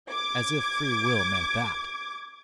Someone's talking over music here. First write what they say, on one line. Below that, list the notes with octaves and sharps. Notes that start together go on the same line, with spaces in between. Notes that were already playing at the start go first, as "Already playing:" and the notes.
As if free will meant that!
D6 G#6